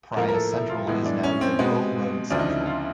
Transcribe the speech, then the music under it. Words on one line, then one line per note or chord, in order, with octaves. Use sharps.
Praya central is now Des Voeux Road Central.
A2 F3 A#3 A#4
A#4
A4
E4
F4
A2 E3 G#3 B3 E4
D4
C#4
C4
B2 G#3 B3
D2 C#3 F3 D4
D#4
E4
F4